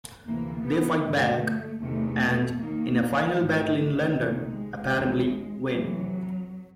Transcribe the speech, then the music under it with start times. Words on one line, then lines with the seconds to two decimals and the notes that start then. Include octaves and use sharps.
They fight back and, in a final battle in London, apparently win.
0.24 D2 C3 E3 A#3
0.64 B3
1.03 G2 D3 A3
1.81 E2 C3 D#3 A3
2.59 D#2 D#3 A#3
3.38 G#2 D#3 A3
3.77 A3
4.16 D2 C3 D#3 A3
4.55 G#3
4.94 D#2 C#3 E3
5.72 F2 C3 E3 F#3